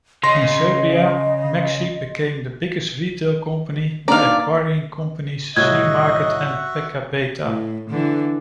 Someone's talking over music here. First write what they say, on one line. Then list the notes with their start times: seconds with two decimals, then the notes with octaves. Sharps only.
In Serbia, Maxi became the biggest retail company by acquiring companies C-market and Pekabeta.
0.23 C#3 D#5 C6 A#6
4.08 A#3 D4 D#4 D5 F5 A#5
5.56 C2 A2 F#4 D#5 E5 F#5 G#6
7.44 A2
7.90 D3 E3